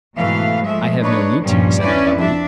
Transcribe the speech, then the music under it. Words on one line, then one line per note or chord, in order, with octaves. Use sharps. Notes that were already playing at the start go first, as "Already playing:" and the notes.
"I have no need to," said the buckwheat.
G#2 B2 E3 A3 F5
F3 G#3 A3 E5
D4 D#4 B4 C#5
G2 A#2 F3 G3 C#4
C#4 D4 E4 B4 D5
F2 D4 E5